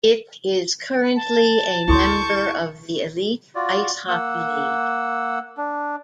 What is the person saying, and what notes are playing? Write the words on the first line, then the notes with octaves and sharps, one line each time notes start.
It is currently a member of the Elite Ice Hockey League.
A5
D2 D3 E4 A4 C6 C#6 G6
F4 F#4 D5
A#3 F#5 E6
D4